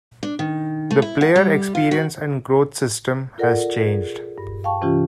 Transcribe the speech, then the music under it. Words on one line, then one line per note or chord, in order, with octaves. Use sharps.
The "Player Experience and Growth System" has changed.
D4
D#3
A3
E4
F#5
G3
F4
F#4
F4 A4 A#4 D5 F#5
G#4
G2
F5 G5 A5 C#6
C3 E3 C#4 F4 G4